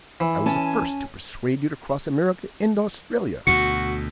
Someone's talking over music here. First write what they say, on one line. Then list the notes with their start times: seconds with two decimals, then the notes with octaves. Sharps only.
I was the first to persuade you to cross America and Australia.
0.20 E3
0.46 C#4 G#5 A5
3.47 D2 B2 F#4 C#7